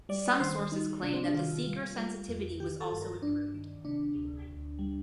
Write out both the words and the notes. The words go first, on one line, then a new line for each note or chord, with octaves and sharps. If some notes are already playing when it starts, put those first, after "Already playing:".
Some sources claim that the seeker sensitivity was also improved.
G3 D5
D#3 C5
G3 D#4
C3 D4
C4
D4
D#3 F4
G3
G3
F2
D#3 G4
A4
G2
A4
A#4
G2 D4
D#3
C3 D4
D2
D2
G3